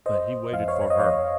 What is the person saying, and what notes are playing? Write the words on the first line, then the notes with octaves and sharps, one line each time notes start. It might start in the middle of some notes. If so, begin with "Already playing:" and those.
But he waited for her.
G1 C5 D#5
F2 F5
C#5 F5
C#5
D#5
F2 C#5 F5